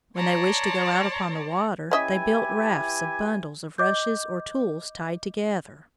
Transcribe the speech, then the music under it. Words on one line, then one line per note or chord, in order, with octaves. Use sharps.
When they wished to go out upon the water they built rafts of bundles of rushes or tules tied together.
C#5 D5 A5 A#5 C6
E3 C#4 E4 G4 D#5 E5 G#5
D#5 D6 G6